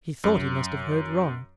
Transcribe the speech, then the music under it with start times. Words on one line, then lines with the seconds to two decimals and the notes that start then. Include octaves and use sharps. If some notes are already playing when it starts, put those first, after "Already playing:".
He thought he must have heard wrong.
0.24 F#2